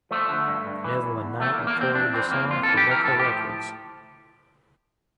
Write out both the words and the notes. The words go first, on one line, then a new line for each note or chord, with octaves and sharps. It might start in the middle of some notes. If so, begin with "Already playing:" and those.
Evelyn Knight recorded the song for Decca Records.
F3 A3
D3
G2
G2
E3
E2
E2
E2 A3
A#3
E2
A#3
E2
C4
F2 D4
E3 C4
F2 A#3
F2 F4
A4
E3
G4
E3 A#4
A2 A4
G4
F3